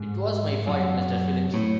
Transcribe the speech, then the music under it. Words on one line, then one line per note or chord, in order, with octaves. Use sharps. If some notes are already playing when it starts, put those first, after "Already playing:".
It was my fault Mr. Phillips.
Already playing: G#2
F#2
A2